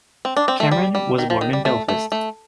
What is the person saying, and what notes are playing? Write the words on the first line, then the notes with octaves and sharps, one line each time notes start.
Cameron was born in Belfast.
C4
D4
C4
A3
G3
G3
D#3
F3
D#3
G3
A3
A3
A3